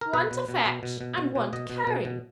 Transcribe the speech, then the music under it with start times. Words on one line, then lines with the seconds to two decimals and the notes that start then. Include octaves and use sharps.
One to fetch, and one to carry.'
0.01 A#4
0.13 B2 B4
0.31 B2
0.49 B2
0.66 B2
0.83 B2
1.01 B2
1.18 B2
1.35 B2
1.53 B2 D#5
1.70 B2
1.87 B2
2.05 B2